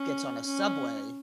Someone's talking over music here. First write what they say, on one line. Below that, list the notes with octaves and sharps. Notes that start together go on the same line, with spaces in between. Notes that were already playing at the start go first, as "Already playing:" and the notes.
gets on a subway
Already playing: C#4
C#4